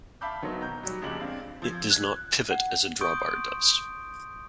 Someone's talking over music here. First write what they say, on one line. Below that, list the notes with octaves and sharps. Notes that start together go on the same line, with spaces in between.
It does not pivot as a drawbar does.
E5 F5 A5 B5 D6 G6
D#3 F#3 B3 D#4 C5 C#5
B2 A#5 G6
F#3 G3 F#4
A#1 C#3 G#3 G4 F#7
C4 D4 F5
F3 E6 G#6
F#6 G#6
F#5
C6 C#6 D#6 G6 D7